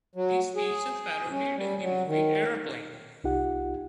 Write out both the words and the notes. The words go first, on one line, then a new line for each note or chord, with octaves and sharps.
The speech is parodied in the movie Airplane!
F#3
G#4
C#4
G3
F#3
D#3
C2 D#4 F4 G4 F#5